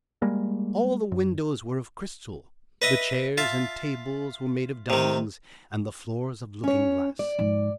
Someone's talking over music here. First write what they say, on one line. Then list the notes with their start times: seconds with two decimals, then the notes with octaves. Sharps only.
All the windows were of crystal; the chairs and tables were made of diamonds, and the floors of looking-glass.
0.22 G3 G#3 A#3
1.12 F#2
2.82 B4 D#5 E5
3.38 F4 E5 A5
4.90 C3 D#3
6.64 C#4 C#5
7.19 D5
7.39 G#2 F3